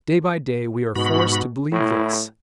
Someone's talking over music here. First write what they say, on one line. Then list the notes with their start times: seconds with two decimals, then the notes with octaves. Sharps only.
Day by day we are forced to believe this.
0.96 G#2 B2 F#4 B5
1.72 A2 E4